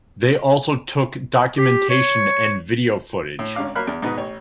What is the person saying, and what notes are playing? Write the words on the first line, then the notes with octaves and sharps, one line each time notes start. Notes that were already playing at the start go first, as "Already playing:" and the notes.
They also took documentation and video footage.
G4
C#5
A2
G#1 D3 C#4 F5 D6
F#3 A#3 B5 F6 F#6
E2
G#2 B2 D#4 B4
A1 C#5